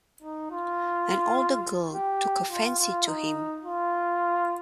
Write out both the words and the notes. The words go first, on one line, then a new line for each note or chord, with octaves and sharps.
An older girl took a fancy to him.
D#4
F4
G4
F4
F4
D#4
F4